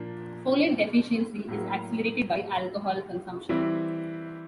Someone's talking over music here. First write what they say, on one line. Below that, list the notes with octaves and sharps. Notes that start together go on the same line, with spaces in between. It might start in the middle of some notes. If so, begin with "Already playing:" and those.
Folate deficiency is accelerated by alcohol consumption.
Already playing: A#2 F3 A#3 D4
A2 F#3 A#3
E3 G3 C4 E4